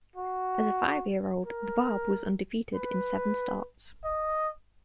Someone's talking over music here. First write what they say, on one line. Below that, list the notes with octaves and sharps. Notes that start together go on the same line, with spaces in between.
As a five-year-old The Barb was undefeated in seven starts.
F#4
A#4
B4
D#5